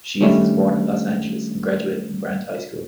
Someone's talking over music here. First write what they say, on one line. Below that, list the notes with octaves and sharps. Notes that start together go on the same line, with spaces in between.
Shields was born in Los Angeles and graduated from Grant High School.
D#3 G3 A3 C#4 D4 E4